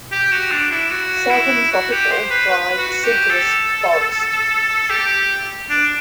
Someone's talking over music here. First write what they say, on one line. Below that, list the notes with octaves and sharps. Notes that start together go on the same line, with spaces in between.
Southern tropical dry deciduous forest.
G4
F#4
D4
E4
F#4
E4
F#4
G4
C5
B4
B4
F#4
G4
A4
G4
D4